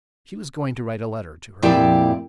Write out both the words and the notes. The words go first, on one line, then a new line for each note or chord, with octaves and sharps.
She was going to write a letter to her mamma.
F2 A#2 F3 E4 G4 D5